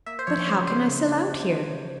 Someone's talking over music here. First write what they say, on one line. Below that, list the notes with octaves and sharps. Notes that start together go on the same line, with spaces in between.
"But how can I sell out here?"
A#3 E5
C5
F3 C#5
C#5
C#3 C5
C#3 C5
C#3
C#3
C#3
F3
C#3